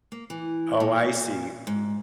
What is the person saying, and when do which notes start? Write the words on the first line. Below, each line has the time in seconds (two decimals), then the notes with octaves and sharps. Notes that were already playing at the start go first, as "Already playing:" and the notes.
Oh, I see.
0.12 A#3
0.30 E3
0.80 A#2
1.67 G#2